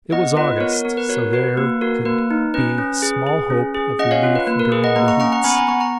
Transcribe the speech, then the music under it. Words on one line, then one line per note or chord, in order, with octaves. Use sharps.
It was August; so there could be small hope of relief during the heats.
B3 D#5 F#5
F4 B4 D#5
B3 A#4 C#5
A#4
B3 A#4
B4
F#4 A#4 C#5
F#4 B4
A#3 B4
F#4 A#4
A#3 B4
D#4
C#4 B4
C#4
G#4
G#4
C#4
G#4
C#4 D#5 F#5
C#5 F5
F4
B4
A#3 B4
A#4
G#4 B4
D#5 F#5
A#3 F#5 A#5
A#5 C#6
C#4 A#5 C#6
F#5 A#5
B3 G#5 B5
F#5 A#5
B3 A#5 C#6
A#5 C#6